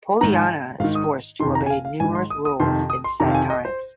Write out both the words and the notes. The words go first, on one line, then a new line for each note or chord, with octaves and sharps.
Poliana is forced to obey numerous rules and set times.
G#2 D#3 A#5
G#5
G#2 D#3 F5
D#6
F2 C3 D#3 C6
A#5
G#5
F5
F5
G#2 D#3 G#5
C6
D#6
D#6
F2 C3 D#3 C6
D#6
C6
F2 C3 D#3 A#5
F5
G#5
D#5
C5